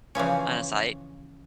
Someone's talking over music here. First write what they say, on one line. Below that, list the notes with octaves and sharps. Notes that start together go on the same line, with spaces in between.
on a site.
C#3 E3 F3 C#4